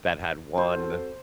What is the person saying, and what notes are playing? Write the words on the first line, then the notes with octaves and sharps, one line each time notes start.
that had one
C4 F#4 A4 C5